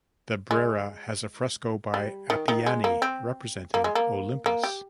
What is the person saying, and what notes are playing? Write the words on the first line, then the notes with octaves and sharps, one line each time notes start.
The Brera has a fresco by Appiani representing Olympus.
G#3
G3
D#3
D#3
G#3
A#3
C4
A#3
G#3
A#3
A#3
G4